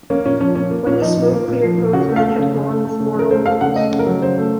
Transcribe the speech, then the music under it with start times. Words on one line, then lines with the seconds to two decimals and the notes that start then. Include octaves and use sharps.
When the smoke cleared both men had fallen with mortal wounds.
0.10 A#3 C#4
0.26 A#2 C#4
0.41 F3 C#4
0.56 A#2 C#4
0.71 A#3
0.87 A#2 C#4
1.02 F3 D#4
1.17 A#2
1.32 A#3
1.48 A#2
1.63 F3
1.78 A#2
1.93 C#3 F#4
2.09 A3
2.16 F5
2.24 A3
2.39 C#3
2.54 C#3
2.69 A3
2.85 A3
3.00 C#3
3.15 C#3 A#4
3.31 A3 C5
3.46 A3 F5
3.61 C#3 F#5
3.76 A3 D#5
3.91 C#3
3.99 A#4
4.07 F#3
4.22 C#3 C5
4.38 A3